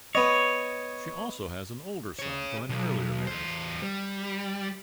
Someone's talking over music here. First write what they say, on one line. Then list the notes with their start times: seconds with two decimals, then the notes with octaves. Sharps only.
She also has an older son from an earlier marriage.
0.15 B3 C#5 D#5
2.19 G#4 C#5
2.69 B1
3.27 E2 C5
3.82 G3